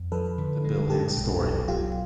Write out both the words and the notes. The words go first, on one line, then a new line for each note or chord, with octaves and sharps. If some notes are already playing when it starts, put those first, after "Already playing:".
The Bill Hicks Story.
Already playing: F2
F3 A4 B4
D3
G#3
A#2 G4 A4
B1
B1
F#3 F4 G4